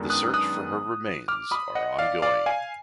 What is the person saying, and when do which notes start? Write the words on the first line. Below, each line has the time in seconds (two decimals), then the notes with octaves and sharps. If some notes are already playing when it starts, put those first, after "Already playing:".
The search for her remains are ongoing.
Already playing: F#2 D#3 G#3 B3 D4
0.10 D#6 F#6
0.34 D#6 F#6
1.28 D6 F6
1.51 B5 D#6
1.75 D#5 F#5
1.99 D5 F5
2.22 D5 F5
2.46 F5 G#5